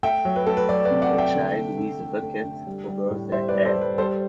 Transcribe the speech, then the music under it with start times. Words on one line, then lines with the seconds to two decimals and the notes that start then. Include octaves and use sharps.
A child with a bucket over their head.
0.03 A3 E5 G5
0.25 F#3
0.36 B4
0.47 A3 A4
0.57 B4
0.69 F#3 B4 D5
0.85 B4 D5
0.91 C3
1.02 D5 F#5
1.13 A3
1.18 E5 G5
1.35 D3
1.57 A3
1.79 D3
2.01 A3
2.23 A3
2.44 D3
2.67 G3
2.88 G3
3.10 A2
3.32 G3 C5 E5
3.48 B4 D5
3.54 G3
3.65 A4 C5
3.76 G3
3.82 B4
3.98 G3 A4 C5